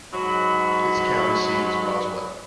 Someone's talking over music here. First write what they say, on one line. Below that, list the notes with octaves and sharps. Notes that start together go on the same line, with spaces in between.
Its county seat is Roswell.
G#2 F#3 B5